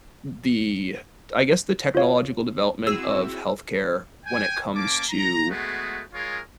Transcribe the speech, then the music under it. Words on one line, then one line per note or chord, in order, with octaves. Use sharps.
the I guess, the technological development of health care when it comes to
F4 C5 C#5 F5
C4 E4 F#4 G#4 E6
G5 G#5
A#3 C#4 A5 D6
A#5
G#3 A3 B3 F#4 G#4
G#3 F4 G#4 A#4 C#5